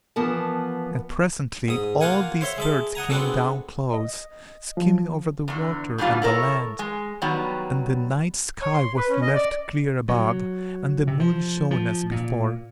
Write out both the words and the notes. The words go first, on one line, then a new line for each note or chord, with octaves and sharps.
And presently all these birds came down close, skimming over the water and the land; and the night-sky was left clear above, and the moon shone as before.
E3 F3 B3 A#4 A5
G#2 D#6
A#3 F4 A#4 F#5 G#5
C5 C#5 E5 C6
G#3 E5 A5
D#5 F#5 G#5 A#5
G#3 B3 C4 D4 F#4 A4
D#5
F3
E2 D3
G#2 B2 D3 G3 F4
E4 A4 A#4 C#5
G#3
D#3 F#3 G3 B3
C#5
C6
B4
C#4
D#5
D5
F#3
C3
F3
F3
A#2